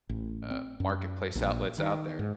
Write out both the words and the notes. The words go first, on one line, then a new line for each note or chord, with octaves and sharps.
uh, marketplace outlets out there
A1
C4
F#2
A#1
D#3
G#2